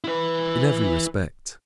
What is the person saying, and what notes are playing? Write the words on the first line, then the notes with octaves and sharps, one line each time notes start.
"In every respect."
E4 B4